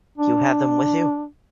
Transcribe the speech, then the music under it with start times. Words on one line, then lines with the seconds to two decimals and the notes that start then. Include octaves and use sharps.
You have them with you?
0.18 D4